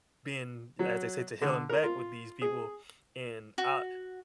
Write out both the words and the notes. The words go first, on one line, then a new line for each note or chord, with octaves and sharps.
been as they say, to hell and back with these people, and I
F#3
D3
A#4
F4
G#4
F#4